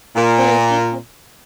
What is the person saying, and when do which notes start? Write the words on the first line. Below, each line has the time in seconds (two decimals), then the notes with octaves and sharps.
But it seems like
0.15 A#2